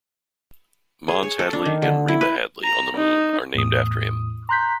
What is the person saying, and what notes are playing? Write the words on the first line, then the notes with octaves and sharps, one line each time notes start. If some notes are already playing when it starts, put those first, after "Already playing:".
Mons Hadley and Rima Hadley on the Moon are named after him.
G#4
C#5
A4
D4
D#3
D3
E4
B4
A#5
D#4
E2 A2 D#6
A#5 C6 F#6 G6 B6